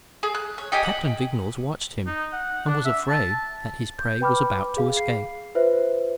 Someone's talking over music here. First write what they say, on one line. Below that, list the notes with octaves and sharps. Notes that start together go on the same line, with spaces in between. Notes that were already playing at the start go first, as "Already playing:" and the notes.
Captain Vignolles watched him, and was afraid that his prey was about to escape.
G#4
F#6
C#5
D#4 G4 D#5 G#5
F#5
D#4
F#5
D4
E5
A5
G6
B4 G5 B5 D6 F6
G#4 F5
F5 C7
F4 B4 C5 E5